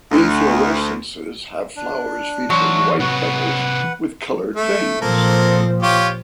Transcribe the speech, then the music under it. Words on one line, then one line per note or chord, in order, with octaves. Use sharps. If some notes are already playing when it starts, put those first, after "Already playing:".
Inflorescences have flowers featuring white petals with coloured veins.
D2
D4
E3 F#3 C6
C3 F#4 B4 F#5
A3 E5
A#2 F3 A#3 C4 A4
F4 G4 C#5